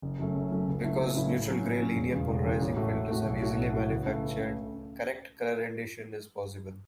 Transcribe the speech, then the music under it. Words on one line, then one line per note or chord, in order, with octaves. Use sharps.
Because neutral-gray linear-polarizing filters are easily manufactured, correct color rendition is possible.
F#1
F#2 F#3 A3 C#4
F#1
F#2 F#3 A3 C#4
C#2
C#3 F#3 A3 E4
C#2
C#3 F#3 A3 E4
A2
F#3 C#4
A2
F#3 C#4
E1
E2 C#3
E1
E2 C#3
A1
A2 A3 F#4
A1
A2 A3 F#4
B1
A2 A3 F#4
B1
A2 A3 F#4
C#2
C#3 A3
C#2
C#3 A3